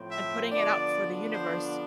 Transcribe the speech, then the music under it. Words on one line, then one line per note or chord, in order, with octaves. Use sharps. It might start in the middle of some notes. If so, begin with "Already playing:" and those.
and putting it out for the universe.
Already playing: A2 F3 C4
E5
D3 F3 B3 D4 D5
C5